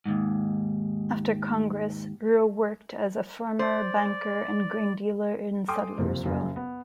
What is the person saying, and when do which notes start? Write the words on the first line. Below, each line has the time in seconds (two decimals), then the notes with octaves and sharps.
After Congress, Roe worked as a farmer, banker, and grain dealer in Sudlersville.
0.06 D#2 G#2
3.59 C5 D5
5.68 A4 G5 G#5 C6 D6 D#6
5.98 F#1 C2 F2 C3 F3
6.25 A#1 F#2 C#3
6.56 B3